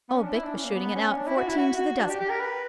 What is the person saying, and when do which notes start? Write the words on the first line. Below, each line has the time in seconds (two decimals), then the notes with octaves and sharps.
Old Bick was shooting it out fourteen to the dozen.'
0.09 B3
0.13 C#4
0.23 D4
0.34 E4
0.44 D4
0.55 C#4
0.64 A#3
0.76 B3
0.95 C#4
1.17 D4
1.27 E4
1.36 F#4
1.48 E4
1.57 F#4
1.78 F#4
1.99 D4
2.09 G4
2.20 G4
2.29 A#4
2.40 B4